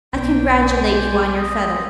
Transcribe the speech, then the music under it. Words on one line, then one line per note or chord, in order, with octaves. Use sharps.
I congratulate you on your feathers.
B1 B3 D4 G5
C5 D5 G#5
C4 D#5